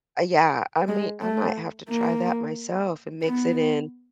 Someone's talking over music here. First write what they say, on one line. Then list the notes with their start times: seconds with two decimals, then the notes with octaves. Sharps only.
Uh, yeah. I mean, I might have to try that myself and mix it in
0.88 G#3
1.22 A3
1.89 A#3
3.24 B3